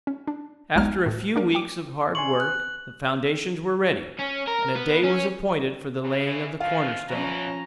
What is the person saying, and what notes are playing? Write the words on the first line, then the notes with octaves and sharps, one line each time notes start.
After a few weeks of hard work the foundations were ready, and a day was appointed for the laying of the corner-stone.
C#4
D4
A#1 D#2 G#3 B3 D#4 F6
A2
A#3 D4 A#4
G5 D6
G#5 C6 C#6 F#7
F#6
C#4
A#4
B3
C#4
C#3 E3
B2 E3 F3 F4 F5
B2 E3 F3 C#4 A#5